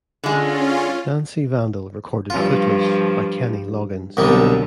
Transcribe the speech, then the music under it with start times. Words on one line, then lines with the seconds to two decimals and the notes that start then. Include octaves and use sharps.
Nancy Vandal recorded "Footloose" by Kenny Loggins.
0.24 D3 G#3 C#4 F4
2.30 G2 F3 F4
4.17 C2 B2 D3 D#3 F#3 G3